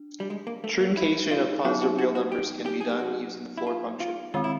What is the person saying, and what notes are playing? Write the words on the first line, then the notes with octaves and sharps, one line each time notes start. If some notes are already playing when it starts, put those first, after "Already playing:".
Truncation of positive real numbers can be done using the floor function.
Already playing: D4
G3
G#3
A#3
A3
A#3
E4
F4
F#3 B3 D#4 F#4
F#4
F#4
F#4
G4
G4
G#4
G4
F#4
E4
F4
F4
D#3 G#3 C4 F4
E4